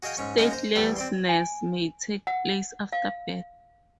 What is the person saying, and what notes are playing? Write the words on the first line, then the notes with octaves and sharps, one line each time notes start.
Statelessness may take place after birth.
F#4 G#4 D#5 F5 G5
G#2 C#4 C#6
G#3 A#3 C#4 D#4 F#4
C5 A#5
E2 G3
C4 D5 C6
G#5
F#5
F5